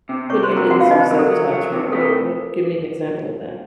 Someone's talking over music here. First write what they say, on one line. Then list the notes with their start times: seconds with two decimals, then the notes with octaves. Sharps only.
What do you mean self-sabotage? What what what Give me an example of that.
0.09 C3
0.30 C3 C#5 C#6
0.43 C5 C6
0.50 F#3
0.57 A#4 A#5
0.70 C3 F#4 F#5
0.80 F4 F5
0.91 D#3 D#4 D#5
1.01 C5
1.11 F#3 A#4
1.19 A4
1.27 F#3 A#4
1.52 F#3
1.72 C3
1.92 A3 A4
2.01 A#4